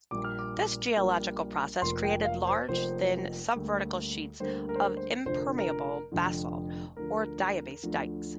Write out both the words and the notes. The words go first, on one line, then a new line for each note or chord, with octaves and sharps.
This geological process created large, thin, subvertical sheets of impermeable basalt, or diabase dikes.
A#1 A#2 G3 A#3 D6
F6
D6
A#1 A#2 G3 A#3
F1 F2 F3 A#3 C6
G5
F5
C5
F1 F2 F3 A#3 C5
D2 D3 G3 A#3
D2 D3 G3 A#3 C5
A#4
C5
A#4
C5
F1 F2 D3 F3 C5
A#4
A#4
F1 F2 D3 F3
D2 D3 F3 A#4
D2 D3 F3